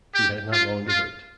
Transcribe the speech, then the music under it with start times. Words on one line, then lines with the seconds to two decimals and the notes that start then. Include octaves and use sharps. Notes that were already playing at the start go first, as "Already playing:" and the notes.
She had not long to wait.
0.15 G4
0.52 F4
0.89 F4